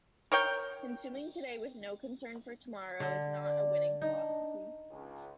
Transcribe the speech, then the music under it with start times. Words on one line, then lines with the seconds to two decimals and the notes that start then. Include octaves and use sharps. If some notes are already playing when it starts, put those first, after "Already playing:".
Consuming today with no concern for tomorrow is not a winning philosophy.
0.32 A#4 C#5 G5
3.00 D3 D5
3.42 D5
4.01 D4 D#4
4.91 C#2